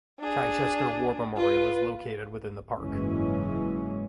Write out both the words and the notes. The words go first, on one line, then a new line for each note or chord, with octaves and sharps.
Chichester War Memorial is located within the park.
D4 G#4
F4 B4
F#1 G#2 E3 F#3 G#3 C#4